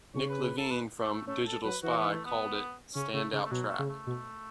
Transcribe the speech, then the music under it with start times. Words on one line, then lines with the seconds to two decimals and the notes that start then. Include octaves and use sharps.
Nick Levine, from "Digital Spy", called it "standout track".
0.15 C#3 C#5
0.29 B4
0.44 B4
0.58 A4
0.71 B4
1.00 A3
1.14 A3
1.27 A3 C#4
1.46 A4
1.65 F#3 B4
1.83 E3 F#4
1.97 B3
2.12 A3
2.25 B3
2.95 C#3 C#4
3.14 C#3 A3
3.33 C#3 A3
3.45 A3
3.51 B2 F#3
3.69 A3
3.79 C#3
3.89 A3
4.07 B2